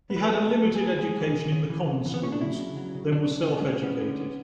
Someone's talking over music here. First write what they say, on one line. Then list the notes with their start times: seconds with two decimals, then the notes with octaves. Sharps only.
He had a limited education in the common schools, then was self-educated.
0.10 B3
0.16 B4
0.28 B3 A4
0.46 B3
0.51 A4
0.63 F#3
0.75 G#4
0.81 B3
0.99 G#3 G#4
1.17 E3
1.34 C#3
1.52 C#3
1.70 E3
1.88 C#3
2.06 E3
2.14 B3
2.23 C#3 C#4
2.32 D4
2.41 F#3 E4
2.59 C#3
2.77 F#3
2.95 C#3
3.12 C#3 D4
3.30 C#3
3.48 B3
3.66 C#3
3.83 B3 C#4
4.01 D3
4.19 B3